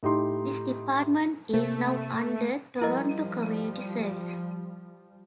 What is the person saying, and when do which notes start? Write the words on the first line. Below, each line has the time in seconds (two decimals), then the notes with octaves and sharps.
This department is now under Toronto Community Services.
0.03 A2 D#4 G4 C6
1.53 C3 A3 A#3 C4
2.81 F3 G3 E4 A#4 D#5